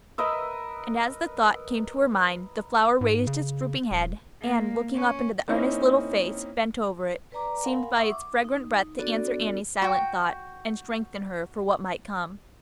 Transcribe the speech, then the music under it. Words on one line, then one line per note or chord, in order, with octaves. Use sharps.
And as the thought came to her mind, the flower raised its drooping head, and, looking up into the earnest little face bent over it, seemed by its fragrant breath to answer Annie's silent thought, and strengthen her for what might come.
A#4 B4 D#5 E5
G#2
C#3
D#1
A#3
C#4
A#3 C4 C#4 D#4 E4
B4 D5 A#5 D6
A#4 F5 F#5 G#5 B5 C6
E5 F#5 C6 C#6 D#6 E6
D6
D#4
B3 D4 F#4 A4 D5
F#4 G5